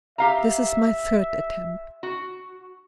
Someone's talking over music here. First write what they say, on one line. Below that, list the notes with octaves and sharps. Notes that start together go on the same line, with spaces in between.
This is my third attempt.
G4 E5 F5 A#5
F#4